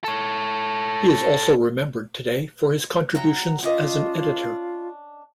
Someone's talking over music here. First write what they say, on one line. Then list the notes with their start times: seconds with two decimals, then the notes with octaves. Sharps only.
He is also remembered today for his contributions as an editor.
0.04 A4 C#5
3.15 F#3 F#5 G5 A#5
3.63 C#4 D4 F4 D#5